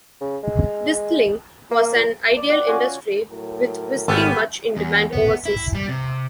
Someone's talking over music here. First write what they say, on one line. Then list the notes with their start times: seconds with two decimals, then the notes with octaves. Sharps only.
Distilling was an ideal industry with whisky much in demand overseas.
0.21 C#3
0.43 G#3
1.71 A#3
1.95 A#2
2.37 D5
2.50 F#5 G5 D6
2.67 C#4 F4 F#4 G#5
3.30 A2 F#3 A#4
4.08 G#1 G3 B3 A4
4.77 E2
5.13 B3
5.46 E4
5.75 G3
5.89 C3